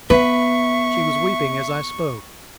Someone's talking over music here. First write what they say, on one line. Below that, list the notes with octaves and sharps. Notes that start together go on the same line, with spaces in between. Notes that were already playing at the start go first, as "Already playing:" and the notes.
She was weeping as I spoke.
B3 B4 E5 C#6